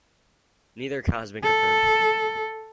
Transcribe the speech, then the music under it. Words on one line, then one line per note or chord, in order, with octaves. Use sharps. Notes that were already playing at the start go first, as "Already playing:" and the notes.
Neither account has been confirmed.
A4